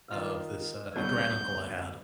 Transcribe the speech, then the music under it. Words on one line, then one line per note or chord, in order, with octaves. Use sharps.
of this, uh a granduncle I had,
D#3 F4
D2 G2 B2 F#3 G6